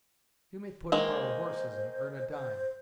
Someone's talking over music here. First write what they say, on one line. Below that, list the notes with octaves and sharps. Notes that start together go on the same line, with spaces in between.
"You may put up our horses and earn a dime."
D#3 G#3 A#3 C5
C5